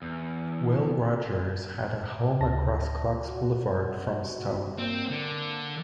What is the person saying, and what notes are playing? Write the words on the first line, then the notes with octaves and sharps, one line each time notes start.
Will Rogers had a home across Clocks Boulevard from Stone.
E2
D2 A5 A#6
F#4
A#3 C4
D3